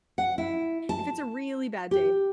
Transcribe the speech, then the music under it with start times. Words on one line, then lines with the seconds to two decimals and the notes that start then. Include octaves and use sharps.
If it's a really bad day
0.18 F#5
0.38 E4
0.89 A5
1.91 G4